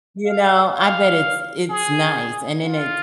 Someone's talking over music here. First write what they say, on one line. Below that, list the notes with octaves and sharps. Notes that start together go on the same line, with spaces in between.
you know, I bet it's it's nice, and then it's
F5
F5
G#4
F4